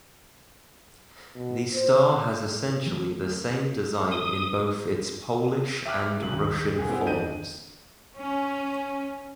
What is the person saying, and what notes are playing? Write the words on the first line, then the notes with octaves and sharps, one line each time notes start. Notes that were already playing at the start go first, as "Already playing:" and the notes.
The star has essentially the same design in both its Polish and Russian forms.
B2
C5
D3 E3 F#3 A3
D#6
E5 G5 D6 F6 F#6
F#1 B1 F#7
D#2
E1 D3 G#4
B3 C4 E4 G4 G#4 C5
G1 D4 D#5 G6 D#7
C#4